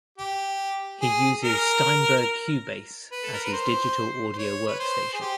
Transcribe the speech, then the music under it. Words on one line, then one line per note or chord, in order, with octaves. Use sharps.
He uses Steinberg Cubase as his digital audio workstation.
G4
G#4
A#4
B4
A4
A#4
B4
C5
C5
C#5
B4
C5
G#4
G4